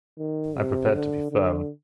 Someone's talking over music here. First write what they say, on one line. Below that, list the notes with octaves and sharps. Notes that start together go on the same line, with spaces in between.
I prepared to be firm.
D#3
C3
D3
D3